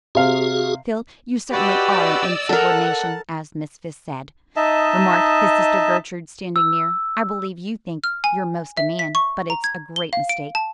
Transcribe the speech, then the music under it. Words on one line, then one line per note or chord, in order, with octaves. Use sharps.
"Phil, you certainly are an insubordination, as Miss Fisk said," remarked his sister Gertrude, standing near, "I believe you think you're 'most a man, but it's a great mistake."
C3 F#4 G#4 F5
F#4 G4 B4 D5 D#5 E6
A4 A#4 F#5 A5
D#4 D#5 E5 A5
E6
F6
G#5
E5
B6
C#6
A#5
G#6
G7
F5
D7
A5